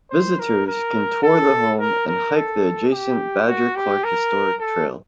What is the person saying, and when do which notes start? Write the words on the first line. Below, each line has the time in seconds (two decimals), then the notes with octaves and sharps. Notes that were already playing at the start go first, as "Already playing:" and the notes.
Visitors can tour the home and hike the adjacent Badger Clark Historic Trail.
0.11 C5
0.39 A#4
0.67 A#4
1.22 A4
1.79 A#4
2.07 A#4
2.36 A4
2.92 G4
3.48 F#4
3.75 G4
4.04 A#4
4.60 A4